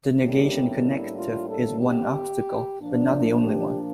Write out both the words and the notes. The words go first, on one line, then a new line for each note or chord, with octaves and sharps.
The negation connective is one obstacle, but not the only one.
A2 G3 A#3 D4 G4
E4
F4
A4
G4
A#2 F3 A#3 D4
F4
G4